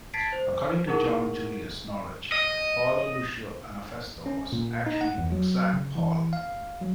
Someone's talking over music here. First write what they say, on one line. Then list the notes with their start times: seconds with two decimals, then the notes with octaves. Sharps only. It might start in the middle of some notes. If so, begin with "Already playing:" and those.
According to John Julius Norwich, Paolo Lucio Anafesto was actually Exarch Paul.
0.14 A5 G#6 A6 B6 C7 D7
0.32 C5
0.87 D#4 E4 G#4 A#4 F#5 C#6
2.32 D#5
4.26 C#4
4.52 A#2
4.86 D#4
5.01 F#5
5.18 E2
5.32 F#3
5.73 C#3
5.95 E3
6.33 F5
6.81 F#3